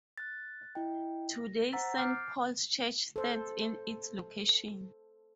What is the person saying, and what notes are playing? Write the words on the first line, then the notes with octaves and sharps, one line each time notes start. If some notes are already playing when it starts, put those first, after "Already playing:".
Today Saint Paul's Church stands in its location.
F#6 A6
E4 D#5 G5
A#6
C5 F#5 A#5 E6 A6 B6
D6 F6 G6 A6 C7 D7
A4 C5